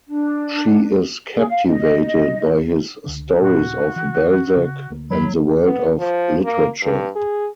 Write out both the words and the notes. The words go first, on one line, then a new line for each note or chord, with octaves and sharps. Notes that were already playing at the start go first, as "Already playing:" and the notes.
She is captivated by his stories of Balzac and the world of literature.
D4
G#4
F5
D#5
C#2 D3 D4
D#1 A#2 F#4
E3
C#3
D2 A#3
F#2 F#3 B5
B3
F3
A#3
G2
G#4